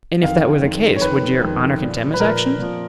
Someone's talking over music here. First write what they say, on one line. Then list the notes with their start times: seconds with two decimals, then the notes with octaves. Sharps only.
"And if that were the case would your honor condemn his action?"
0.23 F2 D#3 F5
0.63 F2 D#3
0.96 C#5
1.01 F2 D#3 B4
1.41 F2 D#3
1.81 A#2 F3
2.14 B4
2.20 A#2 F3 A#4
2.59 A#2 F3